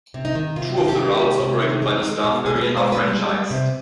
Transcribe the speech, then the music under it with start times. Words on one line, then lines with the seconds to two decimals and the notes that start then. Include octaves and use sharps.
Two of the routes operated by the Star Ferry are franchised.
0.14 C3
0.25 D#4
0.35 D#3
0.56 C3 F4
0.77 D#3 F4
0.88 G4
0.98 G#3
1.19 C3
1.40 C3
1.62 D#3
1.82 G#3
2.03 G#3
2.24 B2
2.45 B2 G#4
2.56 G#4
2.61 B4
2.67 G#3
2.77 C5
2.88 G#3 B4
3.08 G3
3.29 G3
3.51 C3